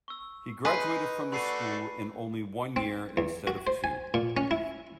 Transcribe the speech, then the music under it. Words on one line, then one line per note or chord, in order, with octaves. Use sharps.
He graduated from this school in only one year instead of two.
C#6 E6
D#4 G#4 B4 C6
A3 D4 F#4 B5 C7 D#7
C4
E2
F#4
C5
G#5
A#2
C#4
E4